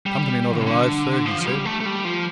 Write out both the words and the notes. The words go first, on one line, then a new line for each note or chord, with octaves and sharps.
"Company not arrived, sir," he said.
G3
C3
D3
F3
F3
G3
A3
A3
G3
F3